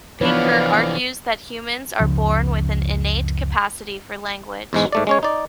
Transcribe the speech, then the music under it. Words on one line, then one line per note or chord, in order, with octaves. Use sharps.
Pinker argues that humans are born with an innate capacity for language.
E3 F3 B3 D4 B4 C#5 D5 F5
F#1 C#2 C#3 F3
E2 G#2 G#3
G#2 A3 D5
G#3 C#4 C#5
D#4 D5